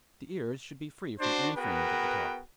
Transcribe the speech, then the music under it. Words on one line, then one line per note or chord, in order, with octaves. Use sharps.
The ears should be free from any fringe at the top.
D4 F#4 C5
B3 F#4 G#4 A#4 B4 G5